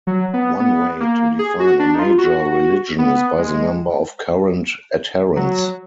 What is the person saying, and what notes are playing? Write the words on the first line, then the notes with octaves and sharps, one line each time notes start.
One way to define a major religion is by the number of current adherents.
F#3
B3
B3
A#3
G#4
F#4
D4
D#4
F4
F#4
B3
G#3
F#3